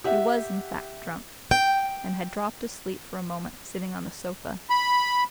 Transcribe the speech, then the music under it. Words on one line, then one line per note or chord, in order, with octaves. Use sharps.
He was, in fact, drunk, and had dropped asleep for a moment, sitting on the sofa.
G4 E5 F#5
G5
B5